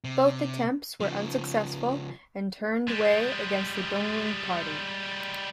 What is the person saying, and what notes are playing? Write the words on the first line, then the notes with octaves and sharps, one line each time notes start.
Both attempts were unsuccessful, and turned Wei against the Donglin party.
C3
C#3 F3
G3 G#3